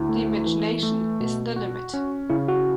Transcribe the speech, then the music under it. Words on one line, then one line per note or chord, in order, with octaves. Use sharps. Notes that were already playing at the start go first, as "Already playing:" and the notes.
The imagination is the limit.
Already playing: D2 E4
A3
E3
A3
B2
F#4
C#4
C#3 E4
F#4